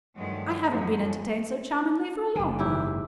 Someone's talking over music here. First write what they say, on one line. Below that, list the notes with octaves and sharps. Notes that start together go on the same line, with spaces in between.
I haven't been entertained so charmingly for a long while.
G2 D#3 F3 F#3 G#3 A3
F#2 A2 D3 F3
F#1 D3
G#2 E4 G4